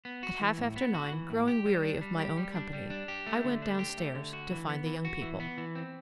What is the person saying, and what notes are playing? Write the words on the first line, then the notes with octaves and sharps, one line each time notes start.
At half after nine, growing weary of my own company, I went downstairs to find the young people.
B3
F#4
E3
A2
B3
F#4
E3
A2
G4
G3
D4
G3
G4
G3
D4
G3
D4
G4
A3
D3
D4
G4
A3
D3
F#4
E3
B3
E3
F#4
E3
B3
E3
C4